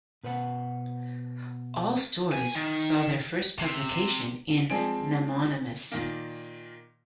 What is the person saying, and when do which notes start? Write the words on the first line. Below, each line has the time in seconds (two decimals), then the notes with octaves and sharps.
All stories saw their first publication in Nemonymous.
0.24 B2 B4 C5 F#5
2.32 G#5
2.55 D#3
3.58 C3
4.70 F3 G#3 C4 D5 G#5 D7
5.92 A#2 D#3 A#3